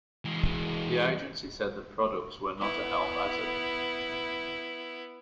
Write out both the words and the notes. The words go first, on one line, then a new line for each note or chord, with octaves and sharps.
The agency said the products were not a health hazard.
E3 G#3
B3 E4